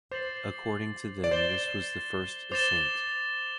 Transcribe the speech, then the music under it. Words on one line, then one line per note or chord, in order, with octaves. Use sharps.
According to them this was the first ascent.
C5 D6 A6 C7 F#7
D5
C5 A6 E7 G7
C5 D6 A6 E7 G7